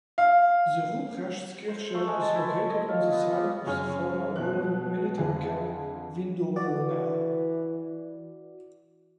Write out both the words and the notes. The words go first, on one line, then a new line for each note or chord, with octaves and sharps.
The Ruprechtskirche is located on the site of the former Roman military camp Vindobona.
F5
C5
A3
G#3
A5
E4
C#5
D#5
F4
B3
G3
F#2 C#3 C#5 G#5 F6
B2 F#6
F2 D3 G#4
E3 F#4 D5